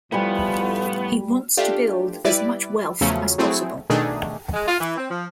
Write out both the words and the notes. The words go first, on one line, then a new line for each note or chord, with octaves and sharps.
He wants to build as much wealth as possible.
A2 F3 G3 A3 B3 G#5 B5
A3 D4 F4 G4
G3 E4 B4 D5
E2 C#3 F3 F#3 A3 C#4
F#3 A3 C4 E4 G#4
B2 D#3 A3 D4 D#4 G#4
G#3
F4
E3
C4
F3